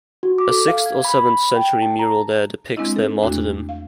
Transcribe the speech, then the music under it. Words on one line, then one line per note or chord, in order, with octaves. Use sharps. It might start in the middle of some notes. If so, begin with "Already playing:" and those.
A sixth or seventh-century mural there depicts their martyrdom.
F#4
D6
A4
F5
G#6
B5
G5
A5
A#5
G#3 C4 D4 E4 D#5
A4
E2 A3 D4 F#4
F5